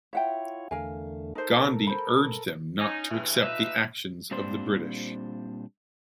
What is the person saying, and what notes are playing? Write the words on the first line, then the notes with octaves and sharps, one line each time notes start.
Gandhi urged them not to accept the actions of the British.
E4 F4 C#5 E5 F#5 G5
E2 D3 A3 A#4 F5 G#5
D#4 A4 A#4 C5
C5 B5
C#4 D#4
G2 C#3 E3
F3 D#4 B4 E5
A#2 G3 C4 D4 C5